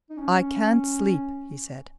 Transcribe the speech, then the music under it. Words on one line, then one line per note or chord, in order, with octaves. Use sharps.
"I can't sleep," he said.
D#4
C#4